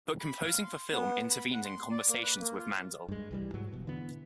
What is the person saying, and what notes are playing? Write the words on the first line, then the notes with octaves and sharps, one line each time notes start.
But composing for film intervened in conversations with Mandel.
B5
F5
C6
B3
B5
F#5
C6
D5
A#3
B4
A#3
F4
G2 G#3
C2 E3 G3
G#2 F#3
E1 B2
D3 E3 B3